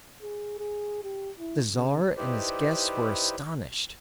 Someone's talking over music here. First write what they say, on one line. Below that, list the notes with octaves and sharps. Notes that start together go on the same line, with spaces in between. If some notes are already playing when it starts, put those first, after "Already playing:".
The Tsar and his guests were astonished.
G#4
G#4
G4
E4
C#3
D#4 E4 G4 B4 C5 D5